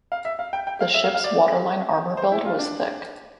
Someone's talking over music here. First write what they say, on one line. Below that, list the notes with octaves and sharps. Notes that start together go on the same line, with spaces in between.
The ship's waterline armor belt was thick.
F5
E5
F5
G5
G5
F5
E5
F5
F5
D5
C5
E4
F4
D4